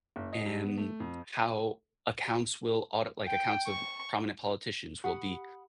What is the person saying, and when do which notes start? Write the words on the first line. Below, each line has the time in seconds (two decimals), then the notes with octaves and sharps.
em, how accounts will auto like, accounts of prominent politicians will be
0.16 F#1
0.33 D#5
0.46 G2
0.64 B3
0.77 A3
1.00 F2
3.27 G5
3.68 C#6
5.04 G4 F#5 B5 D#6